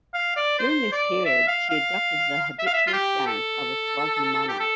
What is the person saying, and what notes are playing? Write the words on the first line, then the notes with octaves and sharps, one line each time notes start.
During this period she adopted the habitual stance of a Swazi monarch.
F5
D5
C5
D5
E5
F5
F5
E5
F5
E5
F4
G4
A4
G4
A4